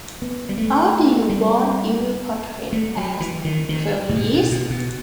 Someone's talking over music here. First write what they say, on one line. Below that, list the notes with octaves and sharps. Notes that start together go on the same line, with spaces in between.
Or do you want evil portrayed as it really is?
B3
G3
A3
G3
A3
F#3
E3
D#3
D#3
A2
B2
B2
B2
B2